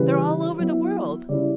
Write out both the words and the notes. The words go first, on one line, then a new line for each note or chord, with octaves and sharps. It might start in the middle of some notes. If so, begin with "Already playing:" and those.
They're all over the world.
Already playing: C#3 E3 G3 B4
F#3 B3 E4
C#3 G3 C#4 E4 D5